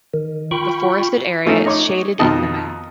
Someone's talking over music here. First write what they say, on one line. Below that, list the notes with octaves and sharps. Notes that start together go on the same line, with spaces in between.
The forested area is shaded in the map.
D#3
F4 G5 B5 C#6
F3 A3 C#4 D#4
D#4 C#5 C#6 D6
F2 B2 D#3 D#5 A5